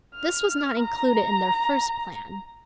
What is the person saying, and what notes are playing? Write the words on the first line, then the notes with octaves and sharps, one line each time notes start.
This was not included in their first plan.
F6
A#5